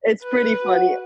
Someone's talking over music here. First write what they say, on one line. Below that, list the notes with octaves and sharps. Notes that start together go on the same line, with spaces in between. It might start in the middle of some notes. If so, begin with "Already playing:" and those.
It's pretty funny
B4
F#4